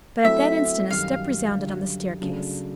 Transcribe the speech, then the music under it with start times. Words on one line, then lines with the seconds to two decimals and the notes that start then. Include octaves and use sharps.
But at that instant a step resounded on the staircase.
0.24 F#3 A3 C4 E4 A4 E5
0.89 F#2 D#3 G3 F5
1.56 F#2 D3 G3
2.21 C#3 F#3 A3 D4